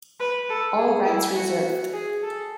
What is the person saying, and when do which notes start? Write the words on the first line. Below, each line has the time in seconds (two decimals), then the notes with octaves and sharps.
All rights reserved.
0.20 B4
0.49 A4
0.78 G#4
1.06 E4
1.36 F#4
1.93 G#4
2.23 A4